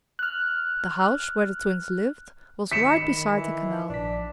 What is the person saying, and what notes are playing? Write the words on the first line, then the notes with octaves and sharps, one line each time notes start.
The house where the Twins lived was right beside the canal.
F6 F#6
D#3 B6 C#7 E7
D#3 D#5 B5
E3
A#1 D4 B6